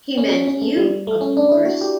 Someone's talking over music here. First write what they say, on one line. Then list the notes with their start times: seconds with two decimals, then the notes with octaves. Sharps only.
He meant you, of course.
0.18 C#4
0.32 C#4
0.47 C#4
0.62 A3
0.77 G3
1.07 A3
1.21 C#4
1.37 D4
1.52 E4
1.65 F#4
1.81 G4